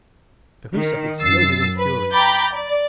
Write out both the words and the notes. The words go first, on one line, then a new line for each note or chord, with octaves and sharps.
Cahusac exploded in fury.
D#3
F#2 E6 A6 C7
B4
G5 A#5 B5 D6 G6 A6
D5